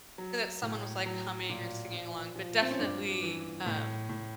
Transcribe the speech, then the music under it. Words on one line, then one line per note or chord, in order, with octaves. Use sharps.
that someone was, like, humming, or singing along, but definitely, um,
F#3
A2
F#3
A#2
F3
F3
C4
C#4
G2 D4
E3
A2
A2